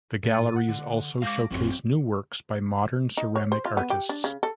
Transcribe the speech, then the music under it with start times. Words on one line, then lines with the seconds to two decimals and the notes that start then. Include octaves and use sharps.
The galleries also showcase new works by modern ceramic artists.
0.23 A2 A6 D#7
0.56 F#5
0.69 D3
1.22 G#3 F5 D6 A#6
1.51 A1 F#2 F#3 C4
3.17 D#4
3.36 C#5
3.52 C5
3.65 F4
3.77 B3
3.90 G4
4.09 D4
4.24 C#3
4.43 A4